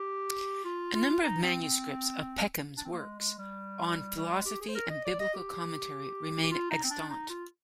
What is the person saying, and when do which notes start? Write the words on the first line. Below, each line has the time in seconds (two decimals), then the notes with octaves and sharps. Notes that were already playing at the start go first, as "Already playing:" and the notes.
A number of manuscripts of Peckham's works on philosophy and biblical commentary remain extant.
Already playing: G4
0.65 F4
0.94 F4
1.23 D#4
1.43 C4
1.62 C4
2.78 D4
2.85 C4
2.92 A#3
2.99 G#3
3.19 G#3
3.38 G3
4.16 G3
4.31 G#3
4.46 G4
4.60 G#4
4.68 C5
4.75 A#4
4.90 D#5
5.05 D5
5.20 D#5
5.34 G4
6.42 G4
6.51 F4
6.70 D#4
6.84 C4
6.90 D4
7.10 D#4
7.29 F4